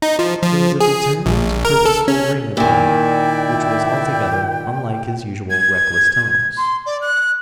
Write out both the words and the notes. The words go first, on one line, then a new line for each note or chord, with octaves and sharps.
There was a determined, purposeful ring about it which was altogether unlike his usual reckless tones.
D#4
F3
F3
G#4
A#1
A#4
A4
C#4
A#2 D#3 E4 D5 E5 G5
G#6
C6
D5
F#6